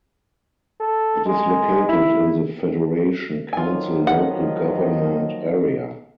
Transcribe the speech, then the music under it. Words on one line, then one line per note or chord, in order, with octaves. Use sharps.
It is located in the Federation Council local government area.
A4
G#3
E4
D#3 F3 F#3 F4 G#5
D#5 F#5